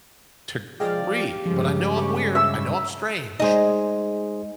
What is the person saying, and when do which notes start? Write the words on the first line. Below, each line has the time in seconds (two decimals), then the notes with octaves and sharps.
to grieve, but I know I'm weird, I know I'm strange.
0.80 F3 G#3 D5 F5 G5 F6
1.14 G4
1.46 G2 C#3 F3 G#3
1.97 B5 C#6 D6
2.35 E5 E6
3.40 G#3 D#4 G#4 C5 D#5